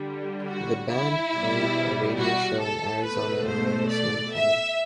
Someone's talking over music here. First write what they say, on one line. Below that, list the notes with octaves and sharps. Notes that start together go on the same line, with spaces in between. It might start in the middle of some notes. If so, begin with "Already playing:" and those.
The band played a radio show in Arizona around the same time.
Already playing: D3 G3
F#4
E4
B2 G3
F#4
A4
B2 A3 B4
C5
D5
E5